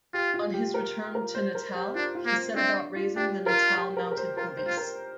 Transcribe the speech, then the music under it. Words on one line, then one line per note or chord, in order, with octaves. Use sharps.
On his return to Natal he set about raising the Natal Mounted Police.
F4 G4
F4
G4
A#4
A#4
C5
A#4
G4
D4 F4
F4
A#3
C4
C4 D4
F4
D4 G4
F4 A#4
G4
A#4
A#4
C5
F4 A#4
C5
F4
A#4